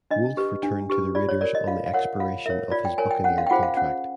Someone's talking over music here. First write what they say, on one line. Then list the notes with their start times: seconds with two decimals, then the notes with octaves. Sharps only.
Wolf returned to the Raiders on the expiration of his Buccaneer contract.
0.11 D4 D#5
0.37 G4 B4
0.63 D4
0.90 G4 B4
1.15 F4 D5
1.29 C#5
1.41 A#4 C#5 D5
1.55 D#5
1.68 F4 F5
1.86 F5
1.94 A#4 C#5 F#5
2.20 F4 F5
2.46 A#4 C#5 E5
2.71 F4 D5
2.85 G5
2.98 A#4 C#5 G#5
3.11 G5
3.24 C#4 F#5
3.38 F5
3.47 G5
3.50 F4 G#4 C5 F#5
3.63 F5
3.76 C#4 F#5